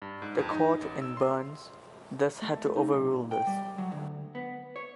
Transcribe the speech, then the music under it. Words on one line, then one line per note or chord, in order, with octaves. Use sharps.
The Court in "Burns" thus had to overrule this.
G2
G#2
F2
D#4
A1
E6
C6
A3
D#4
B1
A#2
G5
G3
F#3
D2
B3
C#5